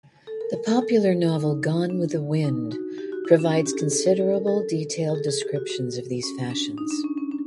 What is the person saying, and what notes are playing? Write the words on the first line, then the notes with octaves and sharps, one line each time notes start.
The popular novel "Gone with the Wind" provides considerable, detailed descriptions of these fashions.
A4
A#4
A#4
A4
A4
D#4
D4
D#4
F#4
G4
F#4
E4
D4
C#4
G4
A4
G#4
A4
A4
A4
A#4
A4
G#4
A4
G#4
G4
F#4
F#4
C#4
D4
D#4
D4
C#4
C#4
D4